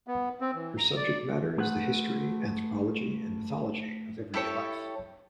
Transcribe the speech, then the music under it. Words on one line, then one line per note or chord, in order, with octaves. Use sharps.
Her subject matter is the history, anthropology, and mythology of everyday life.
B3
C4
E3
A#5
D5
A3 G#4 B4 C5 F#5
E4 G4 A4 C#5